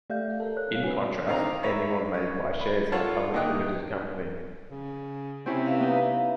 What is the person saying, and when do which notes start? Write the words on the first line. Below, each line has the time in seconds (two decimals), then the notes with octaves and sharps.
In contrast, anyone may buy shares in a public limited company.
0.10 A3 G4 D5 E5 F5 G6
0.40 A4 A#4
0.56 C#5 F#6
0.72 G3 F5
0.83 D4 F#4 B4 C#5 G#5
1.27 D3 D#3 C4 F5 A#5
1.63 B4 C#5 E5 A#5
2.14 C#4
2.61 B5
2.92 F4 A4 C#5 F#5 A5 E6
3.34 A#2 D#3 E4 D#5 G5 F#6
4.71 C#3
5.46 C3 C4 C#4 E4
5.66 B4 E5 F5
5.80 B3 D#4